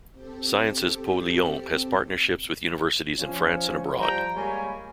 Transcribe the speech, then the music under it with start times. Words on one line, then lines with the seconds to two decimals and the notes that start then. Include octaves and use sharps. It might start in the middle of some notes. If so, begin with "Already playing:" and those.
Sciences Po Lyon has partnerships with universities in France and abroad.
0.13 C4 G4 A4
3.18 F3 C#4
4.00 F3 G3 G5 A#5
4.36 G3 G#3 A#3 C#5 G#5 B5